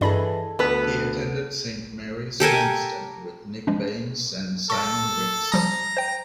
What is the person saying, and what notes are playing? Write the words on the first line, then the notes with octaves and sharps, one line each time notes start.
He attended Saint Mary's Menston with Nick Baines and Simon Rix.
G2 E3 G#4 A4 D5 D#5 B5
D2 B3 A4 B4
G4 A4 A#4 G#5
F3 G#3 D4
A4 C#6 A#6
F3 G3 A#5 D#6
C5 G5